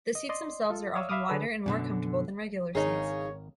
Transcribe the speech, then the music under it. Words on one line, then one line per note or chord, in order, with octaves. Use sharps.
The seats themselves are often wider and more comfortable than regular seats.
D#5
D5 D#5 C6
F4 A4
C#5 D5 E5 F5 D#6 E6
E5 F5 B5 D6 D#6 F6
D3 D4 G#4 A4 B4
F#2 B2 D3
G#1 C#3 D#4 G#4 A#4 C#5